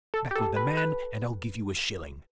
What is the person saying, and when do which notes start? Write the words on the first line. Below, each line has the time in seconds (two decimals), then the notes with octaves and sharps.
Come back with the man, and I'll give you a shilling.
0.14 A4
0.31 G4
0.36 A4
0.56 B4
0.77 B4